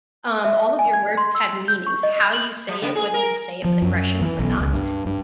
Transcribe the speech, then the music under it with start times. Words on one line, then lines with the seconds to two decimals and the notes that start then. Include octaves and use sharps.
um, all of your words have meanings, how you say it, whether you say it with aggression or not,
0.44 E5
0.79 G#5
0.93 G#6
1.17 C6
1.35 E6
1.68 G6
1.87 C#6
2.03 D#5
2.20 G6
2.33 F#7
2.69 G3
2.82 C#3
2.95 G#4
3.14 A#4
3.65 F3
3.82 F#2
4.21 E3
4.39 B1
4.60 C#2
4.72 G2
5.06 G2